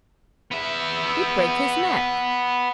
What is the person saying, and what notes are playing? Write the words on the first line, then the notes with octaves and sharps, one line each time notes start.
"He'd break his neck."
B3 E5